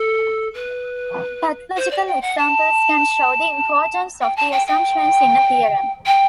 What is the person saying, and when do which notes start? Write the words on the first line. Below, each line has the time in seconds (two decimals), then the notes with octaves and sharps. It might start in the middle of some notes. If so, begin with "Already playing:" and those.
Pathological examples can show the importance of the assumptions in a theorem.
Already playing: A4
0.54 B4
1.77 C5
1.91 D5
2.07 G5
2.22 F#5
2.38 A5
4.22 G5
4.36 A5
4.52 G5
4.67 G5
6.06 G5